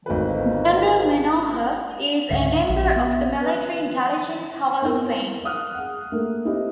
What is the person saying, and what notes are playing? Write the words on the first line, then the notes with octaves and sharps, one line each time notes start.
General Menoher is a member of the Military Intelligence Hall of Fame.
G#1 D2 D#3 F3 B4
C#2 G#2 D3 E5
A#1
B3
B4
B3 C4 E4 A#4 G5
F5 D#6 F6 F#6
G#4 F#5
A3 A#3
C4 E4 G4 D#5